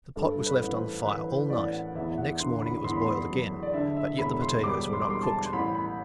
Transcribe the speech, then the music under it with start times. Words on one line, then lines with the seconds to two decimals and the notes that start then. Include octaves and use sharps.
The pot was left on the fire all night, and next morning it was boiled again, but yet the potatoes were not cooked.
0.16 G2 A4
0.46 B4
0.61 A1
0.75 C5
1.05 E3 B4
1.28 C5
1.50 A1 D5
1.73 F#5
1.95 E2 E5
2.18 F#5
2.40 D3 C6
2.62 B5
2.84 E2 C6
2.93 B5
3.02 C6
3.30 F#3
3.63 D5
3.73 D3 E5
3.97 E5
4.18 E1 B5
4.42 C6
4.63 G3 D6
4.93 C6
5.02 D6
5.08 G3 C6
5.23 A5
5.45 C6
5.53 A1 B5
5.75 B5